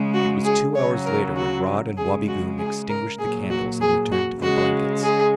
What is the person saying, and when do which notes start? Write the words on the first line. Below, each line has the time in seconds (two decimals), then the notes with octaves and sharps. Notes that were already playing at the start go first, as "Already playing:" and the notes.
It was two hours later when Rod and Wabigoon extinguished the candles and returned to their blankets.
Already playing: C#3 G#3
0.14 F#4
0.44 G#4
0.74 C#3 C#5
0.79 F#3
1.05 A#4
1.36 F#4
1.97 C#3 G#3 G#4
2.28 F#4
2.58 G#4
2.89 A#4
3.19 A#2 F#3 G#4
3.50 F#4
3.81 G#4
4.11 F#4
4.41 C#3 G#3 F#4
5.03 G#4